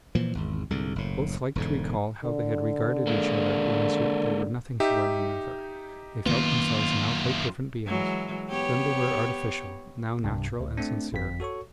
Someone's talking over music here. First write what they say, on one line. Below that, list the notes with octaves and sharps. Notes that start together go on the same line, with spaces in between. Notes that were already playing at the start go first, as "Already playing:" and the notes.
Both liked to recall how they had regarded each other when as yet they were nothing to one another; they felt themselves now quite different beings: then they were artificial, now natural and sincere.
A#2 E3 F3
G#1 E2
C2 G#2 D3
F#1 A2
E1 G#2 D3
D3
G#3 A#3
D#4 G4 E5
F#2 D#3 A#3 B3 F4
E3 F#3 G#3
B3 G4 C#5
C2 G2 C3
D2
A3 C4 D4
G1 F2 B6
F#4 A4 C#5 C#6